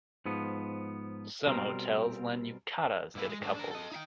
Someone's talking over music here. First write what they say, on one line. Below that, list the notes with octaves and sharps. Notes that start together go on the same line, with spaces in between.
Some hotels lend yukatas to the couples.
G#2 F3 B3
B2 G3 C4 A#4
G2 E3 A#3 E4 B4
G#3
G#2 A3 D4
D4 A#4
A4 D#5
D#4 E5 G5